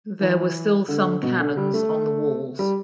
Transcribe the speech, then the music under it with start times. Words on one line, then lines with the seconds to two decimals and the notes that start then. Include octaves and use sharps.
There were still some cannons on the walls.
0.21 E3
0.88 D3
1.23 B2
1.40 D3
1.57 G3
1.74 A3
2.59 G3